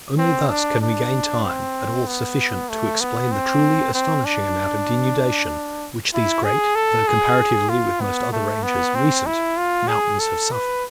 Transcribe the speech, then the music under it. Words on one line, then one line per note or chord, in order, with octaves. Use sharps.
Only thus can we gain time, at all sufficient to explain the truly astonishing amount of denudation, which these great, though comparatively with most other ranges recent, mountains have suffered.
C4
D4
D4
C4
B3
A3
B3
C4
C4
D4
E4
G#4
A4
G#4
F4
B3
A3
B3
C4
E4
F4
G#4
A4
B4